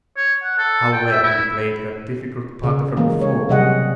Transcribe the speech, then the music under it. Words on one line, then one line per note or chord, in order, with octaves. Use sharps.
How well he played that difficult part of buffoon!
C#5
F#5
A4
G5
E5
E4
C#3
E3 G#3 A#3
C#5
C3 F#3 G3 G#4 D#5 F#5